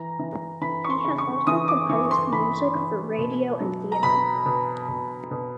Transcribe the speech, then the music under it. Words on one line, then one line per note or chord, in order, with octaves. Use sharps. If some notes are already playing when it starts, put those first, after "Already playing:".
He has also composed music for radio and theatre.
Already playing: E3 A#5
E3
E3 B5
C#6
C6
C#3
C#6
E3 D#6
D6
E3 C#6
C6
E3 B5
E3
B2
F#3
A#5
B2 B5
B2
B2
B2